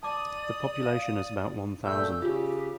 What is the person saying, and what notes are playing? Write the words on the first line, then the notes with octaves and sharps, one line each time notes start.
The population is about one thousand.
D5 A5 D6 D#6
F5
A#2 A3 G#4 E6 G6
C#3 F4 G4 G#4